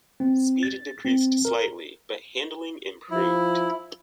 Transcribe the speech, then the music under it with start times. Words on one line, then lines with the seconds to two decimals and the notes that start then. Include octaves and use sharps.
Speed decreased slightly, but handling improved.
0.20 C4
0.63 A6
1.05 C4
1.45 A#4
3.11 F3 E4